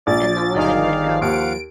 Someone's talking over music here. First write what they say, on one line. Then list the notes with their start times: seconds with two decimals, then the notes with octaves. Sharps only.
and the women would go,
0.07 A#1 D5 A6
0.55 G1 D#3 D#4 G#4 D5 F5
1.22 D#2 F5 F#5 D7